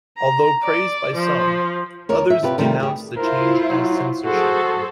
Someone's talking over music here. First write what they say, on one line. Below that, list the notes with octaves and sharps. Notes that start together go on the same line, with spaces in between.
Although praised by some, others denounced the change as censorship.
A#5
D5
F3
E2 A#4 C#5
E5
C3 F4 G4 B4
C3 D#3 G3 A3 D#4 F4
G4 G#4
E4 F4 A#4 C5
F#3
F#4 G#4 A4 C5